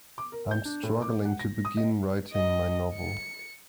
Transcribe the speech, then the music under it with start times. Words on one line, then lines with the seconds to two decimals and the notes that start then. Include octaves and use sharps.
I'm struggling to begin writing my novel.
0.18 D6
0.32 A#4
0.51 G6
0.65 D4
0.83 A2
1.02 D6
1.25 F#5
1.39 A#6
1.65 D#6
1.77 D#5
2.33 D#5
2.95 C#7